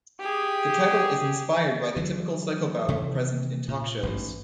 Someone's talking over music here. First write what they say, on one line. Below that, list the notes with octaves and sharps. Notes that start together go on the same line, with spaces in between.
The title is inspired by the "typical psychobabble" present in talk shows.
G4 G#4
D3 E3 F#3
C3 D#3 E3 G3
A#2
A1 G#2 E3